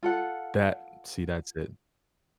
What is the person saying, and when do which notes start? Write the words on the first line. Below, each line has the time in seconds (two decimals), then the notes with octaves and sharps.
That see, that's it.
0.03 F4 A4 F#5